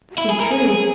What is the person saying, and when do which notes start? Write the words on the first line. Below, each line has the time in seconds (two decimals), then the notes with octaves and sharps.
"That is true."
0.18 E4
0.29 G#4
0.40 A#4
0.52 G#4
0.69 G#4